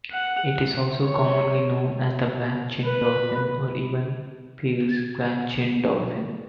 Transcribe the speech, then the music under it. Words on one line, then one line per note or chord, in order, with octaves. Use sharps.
It is also commonly known as the black-chinned dolphin or even Peale's black-chinned dolphin.
F#5
C#5
B4